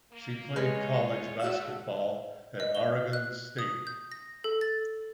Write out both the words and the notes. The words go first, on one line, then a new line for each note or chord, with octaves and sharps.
She played college basketball at Oregon State.
A#3
G#3 D#4 F4 B4 C#5
D3 A3 F#4 F#5 E6
D#5
G7
F#6
D#6
G6
A#6
A4
A6